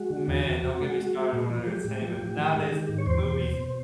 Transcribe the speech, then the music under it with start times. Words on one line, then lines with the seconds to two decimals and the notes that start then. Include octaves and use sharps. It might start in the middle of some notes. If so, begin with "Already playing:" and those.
Man, don't get me started on entertainment. N Nowadays, movies,
Already playing: G#3 F#4
0.10 D3
0.28 E2
0.46 E2
0.63 C3
0.81 G#3
0.98 G#3
1.14 G#3
1.33 A#2
1.50 F3
1.67 G#3 G4
1.84 A2
2.01 F3
2.19 A2
2.37 D#3
2.54 G#3
2.71 D#3
2.89 G#2
2.98 C#5
3.06 E2 C5
3.24 B2
3.41 B2
3.59 B2